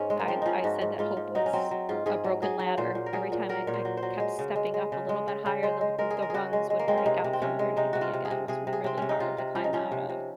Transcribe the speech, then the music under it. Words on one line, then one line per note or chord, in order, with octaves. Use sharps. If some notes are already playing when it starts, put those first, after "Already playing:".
I I said that hope was a broken ladder; every time I I kept stepping up a little bit higher, the l b the rungs would break out from underneath me again; it was really hard to climb out of.
Already playing: G#2 C#4
G#3
A#3
F3 C4
F3 C#4 D#4
G#2 F#4
G#2
G#2 F4
G#2
F#3 D#4
C#4
F#3 C4
F#3
G#2 F4
G#2 G#4
F#3
F#3 G#4
F#3
A#2 C5
A#2
A#4
F#3 G#4
A#2
F#3 A#4
A#2 C#5
C5
F#3
C5
F#3
G#3
C#3
G#3
G#3
C#3
G#3
C#3
C#3
G#3 C5
G#3
G#3 A#4
G#4
G#3
A#4
C#3 F#4 G#4
G#3
G#3
A#3
G#3 C4
C#4
C3 D#4
C3
C4
C3 C#4
G#3
C3 D#4
C3 F#4
F4
C3
G#4
C3
C3 G#4
C3
G#4
C3 C4
C3 C#4
D#4
C3 F4
C3
F3 C#4
D#4
F3 C#4
C3
C3